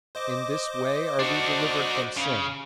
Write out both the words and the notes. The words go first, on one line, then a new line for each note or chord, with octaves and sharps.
In this way are we delivered from sin.
C5 D#5 D6
D4 F#4
C#3